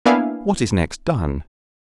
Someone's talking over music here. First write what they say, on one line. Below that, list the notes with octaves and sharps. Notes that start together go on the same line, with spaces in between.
What is next done?
A#3 B3 D4 E4 F5 G#5